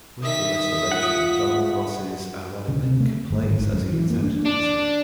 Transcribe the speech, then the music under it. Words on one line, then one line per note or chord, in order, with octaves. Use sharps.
With the restoration, Donald Ross's Aronimink plays as he intended it to.
D#3 E5 D#6 B6
F4 F#5
C#3
C3
A3
G1
G#1
G#2
F#2
E3
A#3
D4
D4